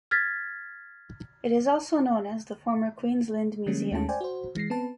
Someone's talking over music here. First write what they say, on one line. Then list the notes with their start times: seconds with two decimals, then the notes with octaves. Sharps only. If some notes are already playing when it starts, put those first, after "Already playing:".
It is also known as the former Queensland Museum.
0.11 F6 G#6 A6 B6
3.66 D3 F3 G3 G#3 A#3 C#4
3.91 D#2 G#3 A3 C#4 A5
4.09 C5 D5 G5 G#5
4.21 F#4 C5
4.55 E3 G#3 A#6 C7
4.70 B3 C4 B4 A5